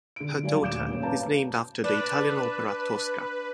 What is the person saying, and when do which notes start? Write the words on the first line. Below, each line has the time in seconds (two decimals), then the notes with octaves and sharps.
Her daughter is named after the Italian opera Tosca.
0.16 D3 D7
0.43 G1 F#3 G3 D5 F5 G#5
0.61 D#1 D2 D6 G6 D7 E7
0.88 A1 F#2 A#3 C#5
1.02 B4 C#5 F5 A5 A#5
1.84 D4 B4